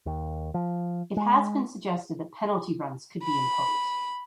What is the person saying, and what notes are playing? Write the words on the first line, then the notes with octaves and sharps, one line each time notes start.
It has been suggested that penalty runs could be imposed.
D#2
F3
G#3
B5